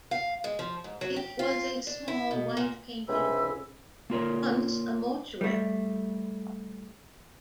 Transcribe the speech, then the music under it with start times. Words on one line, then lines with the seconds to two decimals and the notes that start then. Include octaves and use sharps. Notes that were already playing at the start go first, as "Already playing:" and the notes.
It was a small, white painted room, once a mortuary.
0.11 F5
0.44 G#3
0.59 F3
0.84 G#2
1.01 F#3
1.16 G4
1.39 F4
1.87 D4
2.08 E4
2.31 B2
2.57 A#2
3.09 C#2 C3 D4 G#5 B5 E6
4.10 A#3 F4 A#4 C#5
5.41 G3 A3